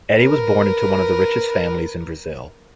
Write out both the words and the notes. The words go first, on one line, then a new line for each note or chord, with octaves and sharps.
Eddy was born into one of the richest families in Brazil.
A#4 B4